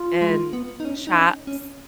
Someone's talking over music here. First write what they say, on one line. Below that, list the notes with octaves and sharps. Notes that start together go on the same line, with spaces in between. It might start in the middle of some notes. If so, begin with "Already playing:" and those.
And shops
Already playing: F4
G#3
B3
D#4
C#4
D#4
C#4
C#4